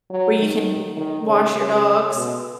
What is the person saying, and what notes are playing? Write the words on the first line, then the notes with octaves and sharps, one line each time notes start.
where you can wash your dogs
F#3
D#3
D#3
C#3
C#3
B2